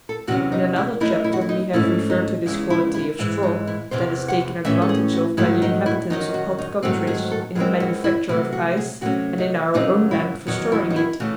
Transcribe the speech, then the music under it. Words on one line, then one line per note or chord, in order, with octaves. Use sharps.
In another chapter we have referred to this quality of straw, that is taken advantage of by the inhabitants of hot countries in the manufacture of ice and in our own land for storing it.
A4
E2 C3 F#3 C#4 F#4
D#4
E4
F#2 E3 A3 D#4 E4
E4
F#4
E4
D#4
G#2 E3 A3 C#4 E4
D#4
E2 C#3 G#3 E4
E4
E4
G#2 E3 G#3 E4
D#4
E4
E2 C3 E3 C5
F#5
A2 E3 A3 C#4 E5
A4
G#4
F#4
G#2 D#3 F#3 A3 E4
D#4
E4
F#2 D#3 F#3 D#4
F#4
D#4
G#2 D#3 F#3 A3 C4 F#4
G#4
A4
F#2 E3 G#3 C4 G#4
F#4
E4
C3 F#3 A3 E4
F#4
G#4
C3 F#3 A3 C#4 F#4
D#4
F#2 C#3 F#3 C4 D#4
E4
E2 D#3 F#3 F#4
E4
D#4
E4
C#3 E3 A3 F#4